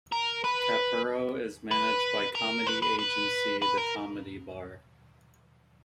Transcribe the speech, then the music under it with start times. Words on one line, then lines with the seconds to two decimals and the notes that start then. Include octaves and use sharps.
Capurro is managed by comedy agency The Comedy Bar.
0.12 A#4
0.44 B4
1.71 B4
2.35 A#4
2.67 B4
2.82 B4
2.99 B4
3.62 B4
3.78 A#4